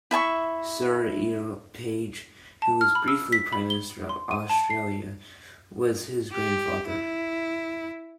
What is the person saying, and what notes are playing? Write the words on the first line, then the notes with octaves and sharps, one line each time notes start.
Sir Earle Page, who was briefly Prime Minister of Australia, was his grandfather.
E4 E5 G#5 C#6
A5
F6
B5
E6
B6
B5
G7
C6
D#7
A5
C7
G4
E4